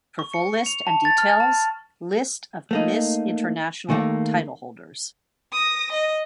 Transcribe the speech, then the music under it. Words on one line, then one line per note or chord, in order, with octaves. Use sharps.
For full list and details List of Miss International titleholders.
C#6
C#7
F7
A5
A6
F6
A5
A3 A#3 D#4
D#2 D#3 A3 A#3
D#6 A#6
D#5